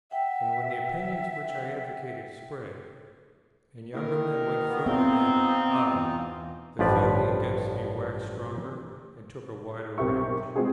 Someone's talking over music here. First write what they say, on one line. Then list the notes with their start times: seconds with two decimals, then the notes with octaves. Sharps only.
And when the opinions which I advocated spread, and younger men went further than I, the feeling against me waxed stronger and took a wider range.
0.11 E5 F#5 G5
3.94 D#3 A#3 E4 A#4
4.66 D2 B3
4.86 B3 C4 D#4 F4 D5 E5 G5
5.93 E2
6.79 A1 G2 F3 B4 D5
9.98 B1 C4 G4 A#4 E5 C#6
10.56 G#3 C4 F4 F#4 G#4